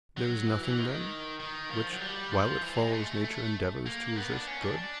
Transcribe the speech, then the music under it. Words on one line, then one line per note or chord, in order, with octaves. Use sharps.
'There is nothing, then, which, while it follows nature, endeavours to resist good.'
F#3
E3
E3
D#3
D#3
F3
F#3
G3
F3
E3
G#3
A3
A3
A#3
B3
D4
C#4
D4